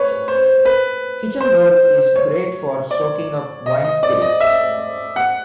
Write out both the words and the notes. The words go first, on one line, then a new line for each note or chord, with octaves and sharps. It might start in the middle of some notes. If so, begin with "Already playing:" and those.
Kitchen roll is great for soaking up wine spills.
Already playing: B4 C#5
C5
B4
C5
C#5
D5
D#5
D#5
D5
D#5
E5
F#5